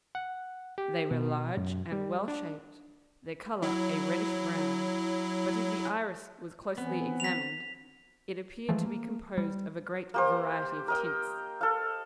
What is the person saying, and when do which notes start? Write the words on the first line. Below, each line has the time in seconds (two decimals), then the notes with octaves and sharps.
They were large and well shaped; their colour a reddish brown; but if the iris was closely examined, it appeared to be composed of a great variety of tints.
0.15 F#5
0.78 G4
1.11 B2
1.57 F#2
1.92 G3
2.28 D4
3.62 F#3 E4
6.78 E3 B3 C4
7.20 B6 F7
8.69 E3 F3 G#3 A3
8.86 A#3
9.38 G3
10.14 A#3 G4 C5
10.88 A#4 D#5 G5
11.61 A4 F5